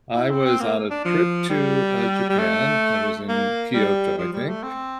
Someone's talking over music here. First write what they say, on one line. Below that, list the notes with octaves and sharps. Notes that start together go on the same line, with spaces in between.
I was on a trip to, uh, Japan, I was in Kyoto, I think,
E4
C4
C4
A#3
D4
F3
G3
G3
A3
A#3
G3
F3
G3
A3
C4